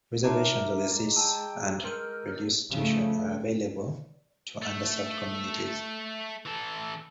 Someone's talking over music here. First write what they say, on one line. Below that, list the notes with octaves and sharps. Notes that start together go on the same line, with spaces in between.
Reservations of seats and reduced tuition are available to underserved communities.
D#4 F#4 A#4 C#5 E5 A#5 D6 D#7
G#3 E4
G5 A5 E6 D#7
G#3 A#4 B4 G5 C6 F6 G6 D#7
C#3 F3 A3
A3
E3 A4